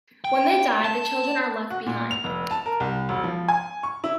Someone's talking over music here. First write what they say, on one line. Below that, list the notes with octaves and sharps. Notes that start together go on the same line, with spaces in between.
When they die, the children are left behind.
G5
A5
F#4
A#2
F7
F1
A5
A#4
C2
E1
F3
G#5
C#6
E4